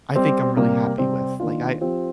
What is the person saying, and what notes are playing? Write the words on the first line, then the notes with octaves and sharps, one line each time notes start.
I think I'm really happy with, like, I
G3 C4 G4
C3 G3 A#3
C3 G3 C4
D#3 A#3 D4 F4
F3 C4 G4